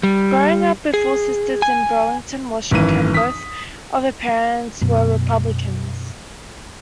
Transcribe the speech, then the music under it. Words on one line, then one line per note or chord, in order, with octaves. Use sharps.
Growing up with four sisters in Burlington, Washington, both of her parents were Republicans.
G3
G#4
G#5
G#1 F#2 E3 D#7
D#6 B6
F#2 B2